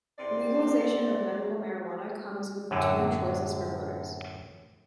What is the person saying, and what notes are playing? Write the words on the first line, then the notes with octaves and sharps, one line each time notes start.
Legalization of medical marijuana comes with two choices for voters.
E2 C4 D5
F#2 A2 D3 F#3